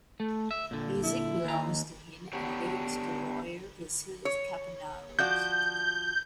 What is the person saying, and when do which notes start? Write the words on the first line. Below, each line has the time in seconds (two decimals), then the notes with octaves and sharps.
Music belongs to him and lyrics to lawyer Vasilis Kapernaros.
0.20 A3
0.51 E5
0.71 A#2 D3
1.04 E4
1.45 D#2 A#5
2.33 D3 B3 D4 G4 C#5
4.25 C#5
5.19 F3 F#4 D5 G6